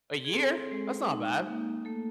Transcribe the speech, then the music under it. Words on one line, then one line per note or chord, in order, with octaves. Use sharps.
a year. That's not bad.
G#4
C4 A4
G#3
D#4
A#3
A3 A4